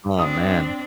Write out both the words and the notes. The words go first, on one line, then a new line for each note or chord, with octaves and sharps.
Oh man.
C4 D4 D#6